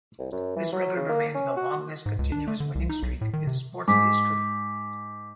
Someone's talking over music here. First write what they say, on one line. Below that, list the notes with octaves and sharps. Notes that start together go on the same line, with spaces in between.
This record remains the longest continuous winning streak in sports history.
C2
F#2
E3
F#3
C#3
A#3
C#4
F#4
G#2
C#2
D4
A3
D3
C2
D#4
B1
A2
D#3
C3
G#2 D6 B6